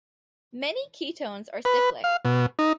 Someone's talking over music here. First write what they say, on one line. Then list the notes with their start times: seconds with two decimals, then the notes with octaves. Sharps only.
Many ketones are cyclic.
1.65 B4
2.04 F5
2.25 B2
2.59 D#4